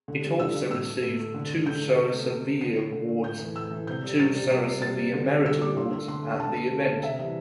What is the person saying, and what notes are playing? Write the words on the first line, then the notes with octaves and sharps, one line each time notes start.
It also received two Sarasaviya awards and two Sarasaviya merit awards at the event.
D3
G3
D3 E6
G3
A2 E6
A3
A2
A3
D3
A3
D3 G6
A3
C3
A3
C3
A3
D3 C7
A3
D3
A3
A2 G6
E3
A3
A2 E6
E3 A3
C3 G6
G3
C3 A6
G3
C3 C7
G3
C3 A6
G3
D3
G3
D3 E6
G3 D6
D3 C6
A3
D3 C6
A3
D3 A5
A3
D3
A3
C3 E5
E3 G3